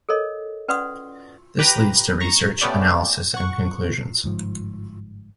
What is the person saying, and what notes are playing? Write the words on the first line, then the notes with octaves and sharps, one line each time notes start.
This leads to research, analysis and conclusions.
A4 A#4 C#5 D#5
C#4 B4 D5 F#5 C6 D#6
G4 B4 G5 A#5
A#5 C#6 A#6
A3 B3 C#4 G4 D5
F#5 C#6
G1 G#2 F3